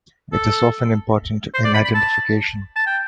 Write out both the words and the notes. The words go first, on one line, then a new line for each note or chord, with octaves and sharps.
It is often important in identification.
A4
C5
D5
B5
B5
A5
A5
G5